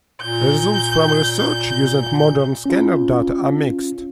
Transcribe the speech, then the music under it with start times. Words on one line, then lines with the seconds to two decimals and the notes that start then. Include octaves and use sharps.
Results from research using modern scanner data are mixed.
0.22 A#2 G6
2.66 C#4 F4